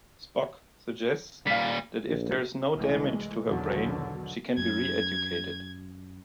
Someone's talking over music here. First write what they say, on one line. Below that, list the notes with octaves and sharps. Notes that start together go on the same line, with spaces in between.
Spock suggests that if there's no damage to her brain, she can be re-educated.
A#2 G3 F5 B6
A#1
C2 E3 G#3 A3
B1 E2 B2 D3 D#3 F#3
F#2 G#6